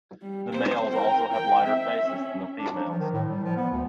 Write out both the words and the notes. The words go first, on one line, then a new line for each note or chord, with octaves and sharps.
The males also have lighter faces than the females.
G3
C4 C5
A#4 G5
G5
C4 E5
C#4
D4
F#3
F3
D#3
A2
G3
F3
B3
D2